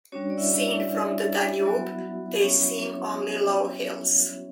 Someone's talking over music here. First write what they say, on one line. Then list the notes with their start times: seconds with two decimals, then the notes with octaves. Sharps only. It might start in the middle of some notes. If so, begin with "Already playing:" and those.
Seen from the Danube, they seem only low hills.
0.12 G3 C#4 D4 F#4 C#5
0.30 D5
0.38 E4 E5
0.63 E4 E5
1.65 F#3 B3 F#4
2.41 C#4 C#5